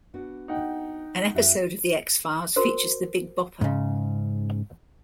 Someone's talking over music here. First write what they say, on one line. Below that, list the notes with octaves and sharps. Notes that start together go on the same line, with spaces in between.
An episode of "The X-Files" features the Big Bopper.
B3 D4 F#4
D#4 F#5 G5
F#2 F#4 E5
F#4 A#4 C5
G#2 C#3